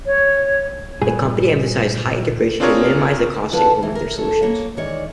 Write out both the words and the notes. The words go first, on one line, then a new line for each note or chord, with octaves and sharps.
The company emphasized high integration to minimize the cost to implement their solutions.
C#5
G2 A#2 G#4
C4 D4 F4 G#4 A#4 C#5
D3 E4 F4 B4 A5
E3
A#4
A4 C#5
A#3 C#5
D#3 E3 G#3 C#5 D5